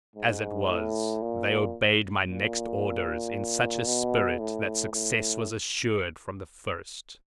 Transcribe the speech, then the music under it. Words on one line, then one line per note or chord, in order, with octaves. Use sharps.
As it was, they obeyed my next orders in such a spirit that success was assured from the first.
G#2
A2
A#2
A#2
B2
A2
A2